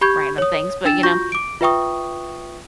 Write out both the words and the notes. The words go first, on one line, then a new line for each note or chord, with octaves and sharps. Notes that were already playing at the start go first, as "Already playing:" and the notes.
random things, but, you know,
G4 B5 C#6 G6 G#6
C#5 D#6
D4 G5 E6 A6 E7
F4 F#4 C#6 G6 A#6
D6 D7
F4 B4 E5 G5 C#6 D#6